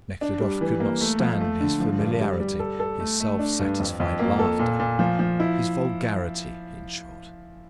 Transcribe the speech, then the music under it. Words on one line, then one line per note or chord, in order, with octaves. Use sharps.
Nekhludoff could not stand his familiarity, his self-satisfied laughter, his vulgarity, in short.
D4
G3
E3
A#3
A3
F3
A3
D3
F3
G2
G3
G3
A4
A4
A3
A3
D4
G2
F2
F2
A#3
A4
A#2
A#2
F3
F3
E4